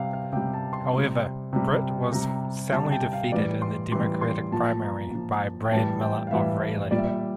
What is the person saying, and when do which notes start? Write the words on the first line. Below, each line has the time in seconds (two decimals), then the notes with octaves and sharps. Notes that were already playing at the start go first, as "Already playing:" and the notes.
However, Britt was soundly defeated in the Democratic primary by Brad Miller of Raleigh.
Already playing: C3 G3 F5 G5
0.13 F5
0.33 C3 G3 G5
0.54 A5
0.73 C6
0.93 C3 G3
1.53 C3 G3
2.12 C3 G3 A#5
2.72 C3 G3 A5
2.92 G5
3.13 F5
3.32 A2 E3 G3 D5
3.62 C6
3.92 A2 E3 G3 C6
4.21 C6
4.51 A#2 F3 A5
4.82 A#5
5.11 A#2 F3
5.65 G5
5.72 A2 E3 G3 A5
6.01 G5
6.27 F5
6.31 A2 E3 G3 E5
6.91 A#2 G3 D5
6.98 E5
7.05 D5